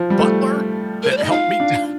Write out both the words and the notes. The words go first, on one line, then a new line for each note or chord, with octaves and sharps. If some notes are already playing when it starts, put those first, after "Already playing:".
butler that helped me down
Already playing: F3
G3
A3
A#4
C5
D5
D#4 D#5
F4 F5
D4